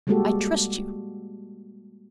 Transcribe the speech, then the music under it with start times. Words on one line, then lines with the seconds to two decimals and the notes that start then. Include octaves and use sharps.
I trust you.
0.07 G3 G#3 A#3 F#4 G4 A4